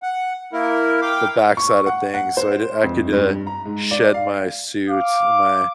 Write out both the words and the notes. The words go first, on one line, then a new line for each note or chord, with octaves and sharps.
the backside of things, so I d I could, uh, shed my suit and my
F#5
A#3 E4 A#4
F5 G5 D6
C#6
F#5
F#5
C5
F2
G2
A#5
G#2
D5
F5
F5 D6